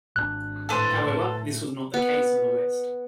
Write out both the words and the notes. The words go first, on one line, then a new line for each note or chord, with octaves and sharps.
However, this was not the case In the West.
G#1 D3 D4 F#6
A2 A4 B4 C5
B3